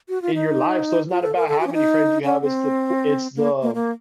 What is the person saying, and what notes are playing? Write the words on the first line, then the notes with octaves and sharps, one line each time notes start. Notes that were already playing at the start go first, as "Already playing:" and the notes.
in your life. So it's not about how many friends you have, it's the po it's the
F#4
F4
D#4
F4
A4
A#4
A4
F#4
C#4
D#4
C#4
C4
A#3
A#3
A#3